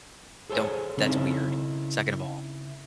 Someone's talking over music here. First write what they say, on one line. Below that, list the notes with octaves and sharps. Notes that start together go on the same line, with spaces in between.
don't that's weird. Second of all
G#4 A4 C5 C#5 G#5
C#3 C4 C#4 D#4 E4 A4